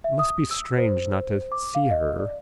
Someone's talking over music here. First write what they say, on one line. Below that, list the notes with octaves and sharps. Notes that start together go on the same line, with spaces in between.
Must be strange not to see her.
E5
D#6
E6
C5
D6
F5
D#5
D5